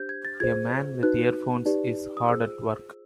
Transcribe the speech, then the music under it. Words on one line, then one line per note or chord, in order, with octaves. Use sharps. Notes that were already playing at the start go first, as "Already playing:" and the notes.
A man with earphones is hard at work.
Already playing: D4 G4 C5 G6
G#6
A6
F4 G#4 C5 G#6
D#4 F#4 B4 F#6
D#4 G4 B4 D5
D#6
F4 G#4 C5 E6